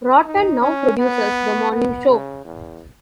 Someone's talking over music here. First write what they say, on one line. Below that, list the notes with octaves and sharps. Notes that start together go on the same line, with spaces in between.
Roten now produces the morning show.
D#4
C#4
B3
B3
C#3
E2